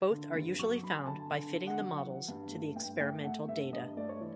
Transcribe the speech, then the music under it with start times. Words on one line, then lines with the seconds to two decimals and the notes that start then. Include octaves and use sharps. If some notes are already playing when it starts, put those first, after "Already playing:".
Both are usually found by fitting the models to the experimental data.
0.11 D3
0.35 G2
0.59 F#3 C#6
0.83 F#3 B5
0.98 G#5
1.07 D3 A5
1.31 D3
1.55 D3
1.67 F#5
1.80 F#3
2.04 E3
2.28 G2
2.51 A3
2.76 G2 G5
3.00 A3 G5
3.24 A3 F#5
3.48 G2 E5
3.73 G2 D#5
3.97 A3 D5
4.09 C#5
4.21 E3